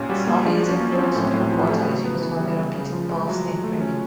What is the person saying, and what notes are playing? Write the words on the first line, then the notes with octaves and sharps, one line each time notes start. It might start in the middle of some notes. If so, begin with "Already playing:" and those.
Sulphate and chloride sodium water is used for therapeutic baths and drinking.
Already playing: A#2 C#4 G4 G#4
G3 F#4
A#3
F3 D4
F#4
C#4
A#3
C4
C#4
A2 C4
A2
F#3
F3
G3
A3
C#3 F#3
B3
E3
G3
C#3
C#3
F3
G#3
F3 F#3
F3
A3
C#4